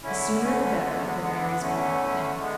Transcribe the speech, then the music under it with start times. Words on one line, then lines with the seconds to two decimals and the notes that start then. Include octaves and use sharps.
The sooner the better had been Mary's view with him.
0.03 E2 D3 C#4 E4
0.43 A3 C#4
0.82 G#3 B3
0.97 C#4
1.02 G#3 B3
1.22 G#3 B3
1.41 B3 D4
1.61 A3 C#4
2.40 G#3 B3